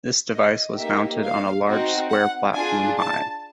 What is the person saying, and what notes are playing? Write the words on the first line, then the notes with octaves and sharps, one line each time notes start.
This device was mounted on a large square platform high.
D#5
A#3 D#4 G4 E5
F5
C4 D#4 F#4
F#5
D4 F4 G#4 G#5
A5